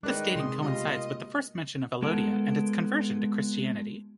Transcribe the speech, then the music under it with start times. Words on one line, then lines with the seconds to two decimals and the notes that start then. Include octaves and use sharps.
This dating coincides with the first mention of Alodia and its conversion to Christianity.
0.03 D#3 G#3 D4 B4 F#6
0.35 C3 G#4 C6 D#6
0.61 B2 G3 F4 D#5 C6
0.82 A#3
2.02 G#3 B3 F#4 A4 A#4